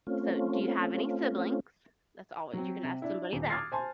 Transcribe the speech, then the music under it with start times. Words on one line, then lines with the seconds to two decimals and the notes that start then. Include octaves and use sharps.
So, "Do you have any siblings?" That's alwa you can ask somebody that,
0.07 A3 C4 C#4 F4
2.53 F#3 C4
2.83 C3
3.02 D4 E4
3.33 D#1
3.50 D6 D#6 F6 G#6 A6 C7
3.72 C5 G#5 A5 C6